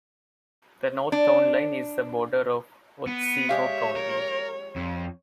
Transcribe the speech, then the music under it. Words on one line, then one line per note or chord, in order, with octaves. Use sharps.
The north town line is the border of Otsego County.
D4
B3
G#3 G4 C#5 E5 F5
A#4
F2